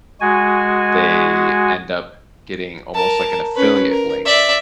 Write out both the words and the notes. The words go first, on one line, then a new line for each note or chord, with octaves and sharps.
they end up getting almost like an affiliate link.
G#3 F#4 G#5
A#4 A5
C#4 B4
A#4
D5 E5